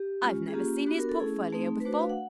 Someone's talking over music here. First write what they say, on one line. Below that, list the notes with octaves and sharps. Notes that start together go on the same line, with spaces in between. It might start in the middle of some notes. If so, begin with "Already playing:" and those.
I've never seen his portfolio before.
Already playing: G4
G#3 C#4 F4
G#4
A#3 C#4 F4 G4
B3 D4 F#4
A#4
A4
A3 C#4 E4 G#4
A3 C4 D#4
B4
A3 D4 F#4 C5
B4
F5
F#5